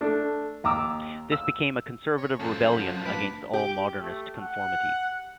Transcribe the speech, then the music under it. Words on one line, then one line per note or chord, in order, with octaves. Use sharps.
This became a conservative rebellion against all modernist conformity.
A3 D4
D#2 A#5 D6 E6
E6
C#5
F#2 F3 A4 A5
F#3 C#5
A3 D4 B4
G4
A3
F#5